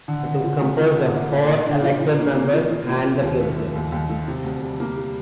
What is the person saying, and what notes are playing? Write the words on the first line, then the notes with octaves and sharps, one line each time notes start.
It is composed of four elected members and the President.
D3
D3
F3
A3
F3
D3
A#3
A#2
A#2
D4
F3
F3
A#3
A#3
F3
F3
A#3
F3
D#2
A3
A3
D#2
D#2
A3
C3
D2
G3
A#3
G3